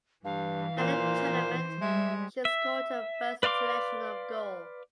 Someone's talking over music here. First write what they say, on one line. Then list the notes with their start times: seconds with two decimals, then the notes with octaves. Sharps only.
At the tournament she scored her first international goal.
0.25 G2 E3 F5
0.78 A#2 C5
1.81 G3 G#3 E5
2.45 E5
3.43 B4 D5 F5 C6 D6